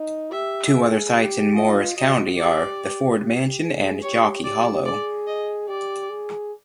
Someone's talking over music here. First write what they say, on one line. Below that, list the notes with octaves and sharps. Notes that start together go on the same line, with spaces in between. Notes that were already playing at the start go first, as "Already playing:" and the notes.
Two other sites in Morris County are the Ford Mansion and Jockey Hollow.
Already playing: D#4
G4 E5
G#4
G4
F4 D#5
F#4 D#5
G4 D5
G4
G#4
G4 C#5
G4 D5
G#4 D5
D#5
G4 D5
G#4